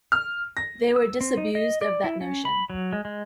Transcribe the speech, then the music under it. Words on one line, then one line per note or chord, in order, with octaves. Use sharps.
They were disabused of that notion.
F6
A#6
E6
C4
D#4
D#5
D5
E4
C#4
B5
F#3
G#3
G#3